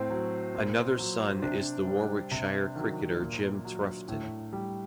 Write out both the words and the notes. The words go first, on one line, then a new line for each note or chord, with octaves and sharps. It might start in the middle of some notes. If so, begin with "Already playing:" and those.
Another son is the Warwickshire cricketer Jim Troughton.
Already playing: A2 C4
F#3
A#2
F#3
C3 D4
G3
C3
D#3 F#3
A#2
F#3
A2
G3